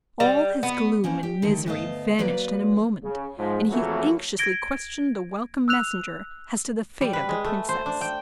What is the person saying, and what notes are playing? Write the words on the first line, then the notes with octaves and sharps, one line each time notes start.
All his gloom and misery vanished in a moment, and he anxiously questioned the welcome messenger as to the fate of the princess.
G3
B3
A#3 C#4 D4 C5
G4
D3 D#3 A3
D2 G2 A3 B3 D#5 F5
F#3 A#3 B4 D5
C#3
G#2 F3
F2 C#3 E3 F#3 A3 A#3
G#6 A#6 D7 G7
E6 F#6 F7
G3
B4
G#3
A3
C5
D4
G5